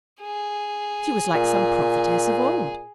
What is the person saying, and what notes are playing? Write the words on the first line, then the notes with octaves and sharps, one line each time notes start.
She was like some prophetess of old.
G#4
A#2